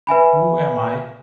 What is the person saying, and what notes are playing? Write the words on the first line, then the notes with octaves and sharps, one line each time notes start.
Who Am I?
B4 E5 G#5 B5